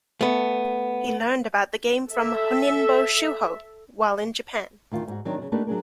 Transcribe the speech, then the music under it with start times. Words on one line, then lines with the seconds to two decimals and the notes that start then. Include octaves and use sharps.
He learned about the game from Honinbo Shuho while in Japan.
0.21 A3 B3
2.09 A4 E5
4.92 D2 D#3 F4
5.08 G#2 F#4
5.25 D#3 F#3 C4 D4 D#4
5.39 C#3 F#3
5.52 A3 A#3 D4 D#4 G4 B4
5.67 F#3 D4 G#4 A#4